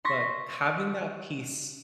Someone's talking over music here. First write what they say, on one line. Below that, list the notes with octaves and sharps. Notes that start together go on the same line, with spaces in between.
but having that piece
C6 C#6 A#6 B6